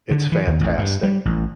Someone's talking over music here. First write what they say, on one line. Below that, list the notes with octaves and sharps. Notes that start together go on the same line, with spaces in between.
It's fantastic.
D3
E3
D#2
A1
G2
G3
A1